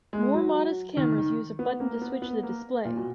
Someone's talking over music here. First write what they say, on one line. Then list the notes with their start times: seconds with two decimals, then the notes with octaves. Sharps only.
More modest cameras use a button to switch the display.
0.13 G#3
0.34 F#3
0.97 D#3
1.18 D#3
1.59 B3
1.80 A#3
1.94 A#3
2.02 B3
2.22 B3
2.43 A#3
2.85 A#2
2.97 B2